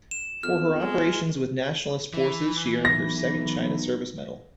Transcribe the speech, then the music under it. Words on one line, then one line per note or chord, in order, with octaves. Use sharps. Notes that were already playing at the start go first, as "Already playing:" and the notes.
For her operations with Nationalist Forces she earned her second China Service Medal.
E7
F2 B3 F6
G#3
E3
B1 A#6